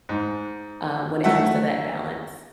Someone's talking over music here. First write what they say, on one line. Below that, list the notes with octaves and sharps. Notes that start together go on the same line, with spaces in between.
um, when it comes to that balance?
G#2
F#3 A3 E5 F#5